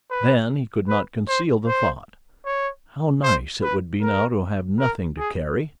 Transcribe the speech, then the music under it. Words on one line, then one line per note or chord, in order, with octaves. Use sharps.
Then he could not conceal the thought: "How nice it would be now to have nothing to carry!"
B4
B4
C5
C5
C#5
C5
B4
A#4
A#4
G#4